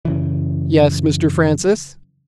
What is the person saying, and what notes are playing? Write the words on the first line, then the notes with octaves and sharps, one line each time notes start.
"Yes, Mr. Francis?"
F#2 C#3 E3